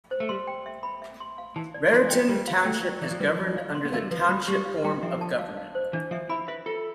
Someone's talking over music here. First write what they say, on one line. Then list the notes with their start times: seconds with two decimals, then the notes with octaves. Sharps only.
Raritan Township is governed under the Township form of government.
0.11 C5
0.20 A3
0.29 G3 C6
0.47 G5
0.66 E5
0.83 B5
1.02 E5
1.20 C6
1.38 F5
1.56 E3 A5
1.74 D5
1.93 F3 C6
2.02 E3
2.10 F3 G5
2.29 G3 F4
2.48 F5
2.65 A3 G5
2.84 D5
3.02 E3 D5
3.11 F3
3.20 G3 B4
3.30 F3
3.39 F4
3.57 F5
3.75 C6
3.85 B3
3.93 A3 F5
4.02 G3
4.11 F3 B4
4.29 G3 B5
4.47 G3 G4
4.65 F5
4.84 G3 G5
5.03 F3 E5
5.21 A5
5.39 F5
5.57 F5
5.75 C5
5.93 E3 D4
6.11 F3 E5
6.29 E4 B5
6.48 B4 E5
6.66 F4 A4